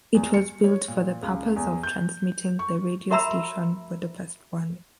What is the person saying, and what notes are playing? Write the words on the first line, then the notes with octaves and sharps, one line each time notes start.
It was built for the purpose of transmitting the radio station Budapest One.
E2
C#7
C#5
A#2
C#2
E2
G6
C#6
F#4 A#4 E5 A#5 B5 E6